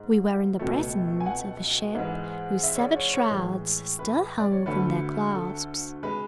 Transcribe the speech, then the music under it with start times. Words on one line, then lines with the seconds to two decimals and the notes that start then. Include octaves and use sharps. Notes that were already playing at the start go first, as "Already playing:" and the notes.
We were in the presence of a ship whose severed shrouds still hung from their clasps.
Already playing: G#2 G#3
0.59 C#2 B2 F#3 A3
1.20 G#5
1.26 F#5
1.95 G#2 E3 G#3
2.63 E5
2.75 C#5
2.79 D5
2.96 C#5
3.13 C#5
3.30 A2 E3 G#3
3.99 B4
4.40 D5
4.52 C#5
4.66 D2 D3 A3 B4
5.34 A4
6.03 G#3 B4